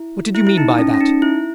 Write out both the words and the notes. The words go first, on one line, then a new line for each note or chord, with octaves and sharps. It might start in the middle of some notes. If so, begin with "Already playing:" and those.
What did you mean by that?
Already playing: E4
E4
E4
D#4
C#4
C#4
D#4
E4